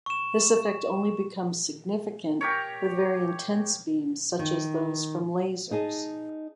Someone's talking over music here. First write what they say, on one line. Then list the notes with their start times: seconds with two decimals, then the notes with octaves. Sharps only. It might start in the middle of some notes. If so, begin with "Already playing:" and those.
This effect only becomes significant with very intense beams such as those from lasers.
0.06 C#6 E7
2.41 G4 A#4 C#5
4.39 D#3
5.71 D#4 G#4 D#5 A5